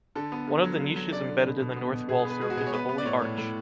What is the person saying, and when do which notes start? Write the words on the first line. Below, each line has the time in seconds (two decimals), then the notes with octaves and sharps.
One of the niches embedded in the north wall served as a holy arch.
0.16 D3 A4
0.32 B3
0.48 D3
0.64 F#3
0.80 D3
0.96 F#3
1.13 D3 D5
1.28 D3
1.45 B2
1.60 B2
1.76 B3
1.93 B2
2.09 B2 G#4
2.20 G#4
2.25 B3 B4
2.41 G#3 G#4
2.50 F#4
2.57 B2 G#4
2.67 C#5
2.73 B3 B4
2.89 B3
2.98 D5
3.06 A2 C#5
3.22 A2
3.38 A2